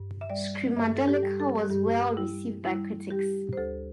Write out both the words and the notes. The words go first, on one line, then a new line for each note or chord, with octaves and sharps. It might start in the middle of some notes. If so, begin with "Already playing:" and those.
"Screamadelica" was well received by critics.
Already playing: G2
E5
G3 D5
G2 E5
A4
G4
G3
A4
G2 G4
G3 E4
G3 E4
G3 G4
C5
D2 A4